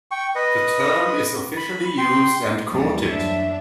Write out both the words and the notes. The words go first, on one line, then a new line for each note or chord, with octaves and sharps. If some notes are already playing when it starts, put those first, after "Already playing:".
The term is officially used and quoted.
G5 C#6
B4 D#5
B5
G5 C6
D#2 E3 F3 G3 A3 D5
F#2 D4 E5